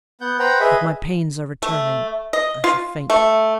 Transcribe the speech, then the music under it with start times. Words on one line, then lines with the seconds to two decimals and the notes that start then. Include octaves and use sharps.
But my pains are returning, I shall faint.
0.21 B3 F#5 G6
0.39 B4 C5 F#5 G5 A#5
0.60 G#4 B4 D#5 E5
1.62 A3
2.33 D#5
2.64 F4
3.10 A3